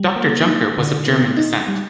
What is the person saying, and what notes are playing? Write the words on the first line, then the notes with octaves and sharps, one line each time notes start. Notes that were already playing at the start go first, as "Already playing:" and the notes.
Doctor Junker was of German descent.
Already playing: G3
A#3
D#4
D3
B3
D#4
G3